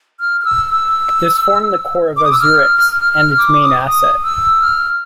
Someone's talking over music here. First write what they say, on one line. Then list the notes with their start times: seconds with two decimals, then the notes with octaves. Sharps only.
This formed the core of Azurix and its main asset.
0.20 F6
0.41 F6
0.45 E6
0.70 E6
2.17 D6
2.24 D#6
2.32 E6
2.40 F6
2.77 F6
2.99 F6
3.14 F6
3.38 D6
3.62 D#6
3.87 D#6
4.24 E6
4.61 F6